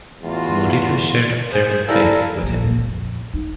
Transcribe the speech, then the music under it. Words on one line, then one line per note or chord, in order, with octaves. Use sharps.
Murillo shared a fervent faith with him.
E2 A2 F4 F#4
G#4 C5
G3 A3 E4 A4 A#4 F5 G#5 A#5
A#1
A#2
F2
D#4